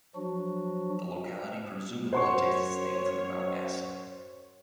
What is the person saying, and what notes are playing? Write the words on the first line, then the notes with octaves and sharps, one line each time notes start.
The locality presumably takes its name from Mount Esk.
F3 F#3 D4 F#4
F#2 C5 C#5 F#5 C6 C#6